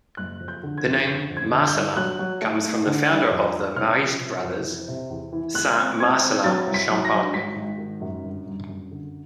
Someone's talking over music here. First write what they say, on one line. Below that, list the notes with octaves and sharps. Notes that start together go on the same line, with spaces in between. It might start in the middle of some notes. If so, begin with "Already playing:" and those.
The name Marcellin comes from the founder of the Marist Brothers, Saint Marcellin Champagnat.
F#1 F#6
F2
G6
D3
G#6
F2
D3 G6
F2
G#6
D3
G6
G1
F#3 F#6
F#3
A3
A3
D3
G3
F2
G3
C3 F6
F3
C3
F2
E3
C3
E2
E3
C#2 F#6
C4
C4 G#6
C4
F#3 A6
C2
B6
F#3
A#6
F#3
G#1 B6
G#1
D#3
F#2
G1
G1
F#2
D3